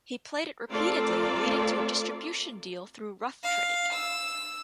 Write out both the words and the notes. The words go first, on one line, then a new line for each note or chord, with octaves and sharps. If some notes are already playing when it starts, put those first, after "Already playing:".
He played it repeatedly leading to a distribution deal through Rough Trade.
A3 C4 F4 A4 A#4 D5
F5
E6